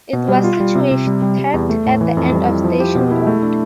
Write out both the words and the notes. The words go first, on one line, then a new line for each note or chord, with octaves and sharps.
It was situated at the end of Station Road.
B2
G3
F4
G3
C3
C3
G3
G3
G3
E2
A3
A2
E3
F2
G3
E4
F3
G4
B2
E4
A3
D4